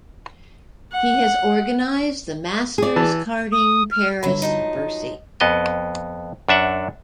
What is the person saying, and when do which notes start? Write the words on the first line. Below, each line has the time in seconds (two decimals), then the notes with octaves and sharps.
He has organised the Masters Karting Paris Bercy.
0.92 F#5
2.78 G#4 D5
2.96 E3 A5
3.52 D#6
3.91 F6
4.23 G1 F#3 E4 C#5 B5
4.42 F3 F#3 D#4
4.75 D#5
5.41 F2 B3 D#5
6.49 F#2 D4 E5 F#5